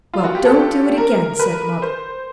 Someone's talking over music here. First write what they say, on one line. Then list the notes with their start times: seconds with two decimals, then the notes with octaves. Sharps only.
'Well, don't do it again,' said mother.
0.14 F4
0.24 F#4
0.35 G4
0.45 A4
0.98 A#4
1.39 B4
1.82 C5